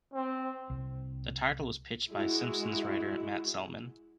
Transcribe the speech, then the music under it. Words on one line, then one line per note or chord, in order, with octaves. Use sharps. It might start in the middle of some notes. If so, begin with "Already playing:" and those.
The title was pitched by "Simpsons" writer Matt Selman.
C4
C2
G#3 E4 F#4